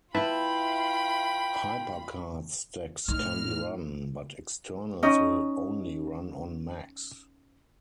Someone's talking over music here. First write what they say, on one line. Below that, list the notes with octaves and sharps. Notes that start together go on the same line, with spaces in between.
HyperCard stacks can be run, but externals will only run on Macs.
E4 F4 B4 E5 G5 A5 B5
A2 D#4 F6
C#4 D#4 D#5